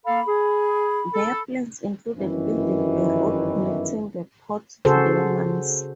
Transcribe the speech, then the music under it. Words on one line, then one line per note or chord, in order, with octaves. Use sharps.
Their plans included building a road connecting the port to their mines.
A#3 A4 F5 B5
G#4
A4
G1 F#2 D#3 E3
C#3 F#4 G#4 A4 C5